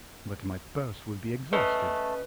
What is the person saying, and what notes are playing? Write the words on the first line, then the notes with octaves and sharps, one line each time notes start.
"But my purse will be exhausted."
A3 C#4 B4 D#5